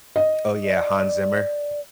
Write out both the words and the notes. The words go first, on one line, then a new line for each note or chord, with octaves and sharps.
Oh, yeah, Hans Zimmer.
D#5
D5